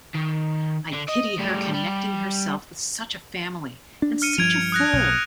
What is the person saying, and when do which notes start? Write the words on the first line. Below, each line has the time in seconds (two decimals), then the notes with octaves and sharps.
I pity her connecting herself with such a Family, and such a fool!
0.14 D#3
0.93 D3
1.09 D#5
1.38 A2 G3
1.73 G3
4.02 D4
4.22 F6 C#7 D#7
4.38 G2 F3 G#6 D7 F7
4.72 D#6 F#6 A#6
4.93 B1